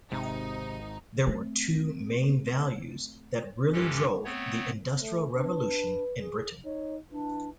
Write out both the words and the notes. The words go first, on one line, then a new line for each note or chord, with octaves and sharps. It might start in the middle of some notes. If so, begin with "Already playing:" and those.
There were two main values that really drove the Industrial Revolution in Britain.
G#1 G#2 C3 D#4
A3 C4
G2 E3 G#3 C#4 G4 A4
A3 B3 C4 C#5
A3
D4 B4
G#4
D#4 C#5
E3 D4